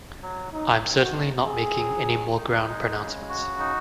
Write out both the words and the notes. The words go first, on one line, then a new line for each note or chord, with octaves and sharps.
I'm certainly not making any more grand pronouncements.
F#3
F#3 D#4
D#3
F#4
D#2
C4 G#4
F#3
D#3
D#4
G#3
C#3
F#4
D#4